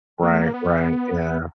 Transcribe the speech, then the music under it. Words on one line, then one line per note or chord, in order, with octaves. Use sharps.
Right. Right. Yeah.
A#3
A3
A#3
B3